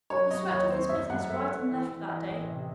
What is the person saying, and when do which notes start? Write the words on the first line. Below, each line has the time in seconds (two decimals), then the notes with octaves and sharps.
He swept off his business right and left that day.
0.10 F#3 C#5
0.30 F#3 D#5
0.50 D#2 C#5
0.70 C4 C5
0.89 F#2 E5
1.10 F#2 F#5
1.30 A3 E5
1.49 A3
1.69 E3
1.88 E3
2.08 E3 D#5
2.28 A1
2.47 C3